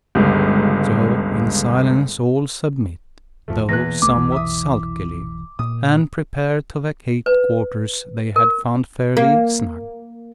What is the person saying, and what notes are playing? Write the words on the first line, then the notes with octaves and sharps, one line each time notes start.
So, in silence all submit, though somewhat sulkily; and prepare to vacate quarters they had found fairly snug.
G1 C#2
G1 D#2 F3 A3
E2 B2 E3 A#3 B3 F#6 A#6
F1 B1 A3 D6
E3
E5 D#6
A#2 D#6
B4
A#4
A#3